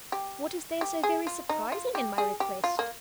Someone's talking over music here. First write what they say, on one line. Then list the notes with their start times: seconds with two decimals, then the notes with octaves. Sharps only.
"What is there so very surprising in my request?"
0.12 G4
0.81 G4
1.03 G#4
1.27 F4
1.49 D#4
1.72 F4
1.95 G4
2.18 G#4
2.40 G4
2.64 F4
2.79 A#3